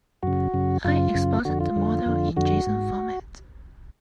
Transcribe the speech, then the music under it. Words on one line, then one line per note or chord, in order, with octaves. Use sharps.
I exported the model in json format.
F#2 C#3 F#4
F#2 C#3
F#2 C#3 F4
F#2 C#3
F2 D3 F#4
F4
F2 D3
F2 D3
F2 D3 F#4
G#2